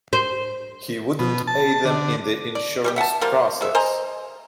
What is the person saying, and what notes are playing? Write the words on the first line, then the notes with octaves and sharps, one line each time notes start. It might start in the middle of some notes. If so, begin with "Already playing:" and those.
He wouldn't aid them in the insurance process.
C5
B2
A5
D3
D5
G3 C4 G4
E5 F#5 G#5 A5
F3 G3 A#3 F4
G#3 E5
C5 D#5 G#5 A#5